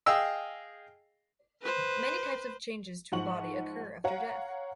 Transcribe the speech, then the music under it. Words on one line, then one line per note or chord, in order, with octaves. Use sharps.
Many types of changes to a body occur after death.
G#4 D#5 F5 G5 E6
B4 C5
G#2 F3 F#5 C#6 F#7
C#5 F5 F#5 A#5